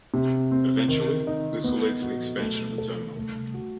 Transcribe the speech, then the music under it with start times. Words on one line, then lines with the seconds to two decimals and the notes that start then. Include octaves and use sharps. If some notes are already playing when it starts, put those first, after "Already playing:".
Eventually, this will lead to the expansion of the terminal.
0.14 C3
0.51 C4
0.88 D#3
1.27 D#4
1.64 B3
2.02 F#4
2.40 A3
2.78 A4
3.16 A3
3.54 F#4